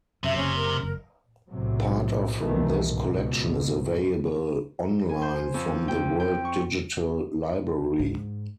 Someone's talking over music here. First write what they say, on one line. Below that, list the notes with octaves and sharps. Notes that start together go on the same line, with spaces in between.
Part of this collection is available on-line from the World Digital Library.
F#2 C3 E5
F#1 C#4
A#4
F#1
B1 A2 C3 F#3
C2 B2 D#3 E3 A3
C#2 G#2 B2
G#5
C5
F2
G5
G5
C#6
G#2